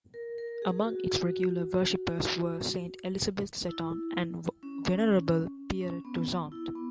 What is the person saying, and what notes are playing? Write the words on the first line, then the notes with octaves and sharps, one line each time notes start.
Among its regular worshippers were Saint Elizabeth Seton and Venerable Pierre Toussaint.
A#4
A#4
G#4
F#4
E4
C#4
C#4
C#4
B3
E4
B3